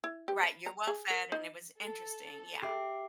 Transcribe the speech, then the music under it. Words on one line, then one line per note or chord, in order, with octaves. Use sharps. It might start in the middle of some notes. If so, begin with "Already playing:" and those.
Right, you're well fed, and it was interesting. Yeah.
E4
G4
B5
A#5
G#4
A#4
D#4
A4
G4 E5 D6 C7